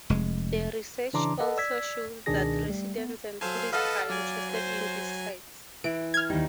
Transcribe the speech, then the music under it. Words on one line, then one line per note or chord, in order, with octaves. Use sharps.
The research also showed that residents and tourists are interested in these sites.
F1 G#3
C#3 E3 D4 A#5 C6 D6
A4 B4 D#5 F#5
D5 E6 G#6 B6
C#2 B2 D#3 D4 G#4 A#6
G3 A3
B3
F#3 A4 C5 F5 G#5
A4 B4 D#5 F5 F#5 A5
F#3 D5 G#5
C5
E3 D7
F6 G#6
D#2 G3 D#4